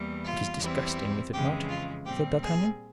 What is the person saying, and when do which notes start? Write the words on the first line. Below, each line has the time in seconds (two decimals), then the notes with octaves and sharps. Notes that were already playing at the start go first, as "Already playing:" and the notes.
"It is disgusting, is it not?" said D'Artagnan.
Already playing: E2 E3 G3 A#3
0.24 F4
0.60 E2 E3 G3 C4 E4
1.32 F2 C#3 E3 G#3 G4
1.69 F4
2.05 A#2 G3 C4 G4
2.42 G#4